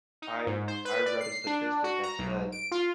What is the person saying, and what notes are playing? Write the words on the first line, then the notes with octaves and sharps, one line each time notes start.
I re I read a statistic that said
D#4
G#2
C5
B4
D5
C7
D4
F#4
A#5
B1
D7
F4